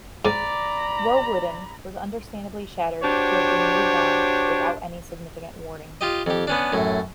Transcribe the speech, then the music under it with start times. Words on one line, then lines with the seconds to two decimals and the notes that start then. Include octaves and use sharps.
Woewodin was understandably shattered to have been moved on without any significant warning.
0.25 G#2 D5 A#5 B5
3.04 D4 F#4 G4 C5 C#5
6.01 F4 G4 D#5
6.26 F2 G4
6.47 B3 C#4 D4
6.73 F#2 A2